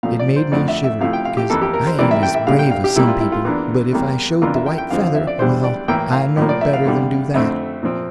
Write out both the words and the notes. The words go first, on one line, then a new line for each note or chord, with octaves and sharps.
It made me shiver, because I ain't as brave as some people, but if I showed the white feather--well, I knowed better than do that.
A#2 F3 A3 F5
D5
C5
F2 D3 F3 A3 D5
E5
E5
C3 F3 A3 E4 F5
G5
F5
G4
F2 E3 A#3 E4 A4
G4
A#4
C5
C3 E3 G3 A#3 D5
E5
G5
E5
A#2 G3 D4 F5
G5
F5
G4
C3 G3 A#3 E4
F4
E4
F4
E2 E3 A#3 D4
E2 C3 G3 A#3
F2 E3 A#3 D4 F4
E5
G5
G5
F2 D3 F3 C4 F5
F5
E5
D5
E2 E3 G3 D4 C5
D5
A2 E3 A#3 E4 G5
F5
A2 F3 A#3
D5
E5
F5
E2 D3 G3
F2 D3 A3 C4 E5
A#2 F3 C4